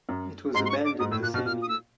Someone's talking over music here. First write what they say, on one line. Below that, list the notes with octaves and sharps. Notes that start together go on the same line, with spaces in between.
It was abandoned the same year.
F#2
G#2 C6
C6
C#6
D6
G#2 D#6
A2 E6
A#2 F#6
B2 F6
A#2 F6
D#6
E6